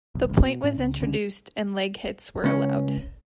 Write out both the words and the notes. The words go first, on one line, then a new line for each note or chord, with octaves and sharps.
The point was introduced and leg hits were allowed.
F1 B1
E1 C#2
B2
A2 C#4
C#2
C#2 D3 C#4
C#2 C#4